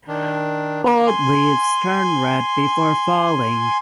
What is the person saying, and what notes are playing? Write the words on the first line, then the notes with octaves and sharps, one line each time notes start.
Old leaves turn red before falling.
D#3 D4
G#5 C6